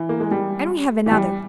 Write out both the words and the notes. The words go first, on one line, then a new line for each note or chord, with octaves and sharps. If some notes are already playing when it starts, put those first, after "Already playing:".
And we have another.
Already playing: E3
A#3
G#3
G3
E3
G3